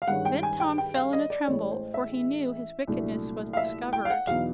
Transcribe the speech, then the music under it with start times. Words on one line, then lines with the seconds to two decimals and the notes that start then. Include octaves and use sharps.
Then Tom fell in a tremble, for he knew his wickedness was discovered.
0.02 F5
0.08 G2 D#3 G#3 C#4 F#5
0.25 G5
0.43 G#5
0.60 G5
0.78 G5
0.95 F5
1.13 D#5
1.30 D5
1.48 A1 A2 E3 G#3 C#5
1.71 C5
1.94 E5
2.88 C2 A#2 F#3 A3 D4
3.53 F5
3.57 E5
3.93 G5
4.05 F5
4.10 F#5
4.27 E2 B2 F#3 B3 D#4 F5